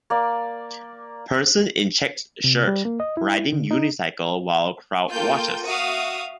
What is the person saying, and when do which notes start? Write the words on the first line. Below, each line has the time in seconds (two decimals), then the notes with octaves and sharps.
Person in checked shirt riding unicycle while crowd watches.
0.10 A#3 D5
2.44 C3
2.67 G3
2.85 A#3
3.00 D#5
3.17 E4
3.53 D3
3.71 D#4
5.10 A#3 F4 A4 G5 G6
5.65 F#4 E5 F5 D#6